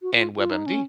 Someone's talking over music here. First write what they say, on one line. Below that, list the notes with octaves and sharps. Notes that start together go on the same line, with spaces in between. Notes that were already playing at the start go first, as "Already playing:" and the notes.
and WebMD?
F#4
F4
F4
D#4
C#4